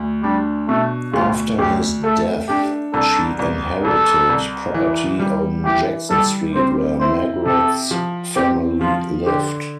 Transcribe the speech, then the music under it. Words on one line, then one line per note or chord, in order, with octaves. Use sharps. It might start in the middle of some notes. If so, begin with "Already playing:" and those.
After his death, she inherited property on Jackson Street where Margaret's family lived.
Already playing: D2
G3 D4
B2 A3
D2 F4
D2 G4
A3 A4
D4 G4
C2 A4
C2
C2 A4
C2
E3
G3
E3 G4
G3 A4
C4 C5
E4 C5
C3 A4
F3
C4 G4
F3 F4
D3 G4